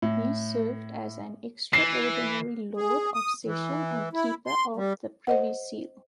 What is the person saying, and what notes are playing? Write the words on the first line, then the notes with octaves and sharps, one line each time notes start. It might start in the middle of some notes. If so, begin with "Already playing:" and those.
He served as an Extraordinary Lord of Session and Keeper of the Privy Seal.
A2
E3 C7
G#4
D#6
E3
E4
C6
G3
C5 D#5 F#5